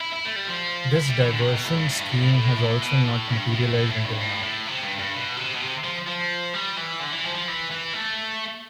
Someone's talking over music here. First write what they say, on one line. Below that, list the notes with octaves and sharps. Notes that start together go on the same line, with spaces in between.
This diversion scheme has also not materialized until now.
E4
E4
A3
G3
F3
E4
G3
E3
D3
C3
B2
A2
G2
A2
G2
A2
A2
A2
A2
B2
A2
G2
A2
A2
A2
G2
A2
A2
C3
G2
G2
B2
C3
B2
C3
F3
F3
G3
E3
D3
E3
F3
F3
E3
E3
A3